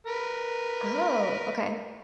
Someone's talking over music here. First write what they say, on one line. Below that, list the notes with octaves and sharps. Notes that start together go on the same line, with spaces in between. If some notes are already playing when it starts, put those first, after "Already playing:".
Oh, okay.
A#4 B4